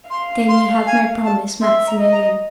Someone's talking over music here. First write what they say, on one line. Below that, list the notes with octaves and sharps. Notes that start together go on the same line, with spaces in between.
"Then you have my promise, Maximilian."
F5 C6
C6
G#5
A5
E5 C6
A#5
D#5
A#5